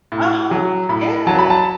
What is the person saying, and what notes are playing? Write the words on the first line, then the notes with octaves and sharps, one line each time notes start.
Uh-huh, yeah.
A2
F#3
A2 B5
F#3 A5
B5
A5